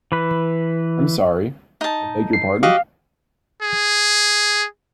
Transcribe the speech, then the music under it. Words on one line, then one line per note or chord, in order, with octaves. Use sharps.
I'm sorry. I beg your pardon.
E3 B4
D#4 A5
C7
F#4 G4 D#5 F5
G#4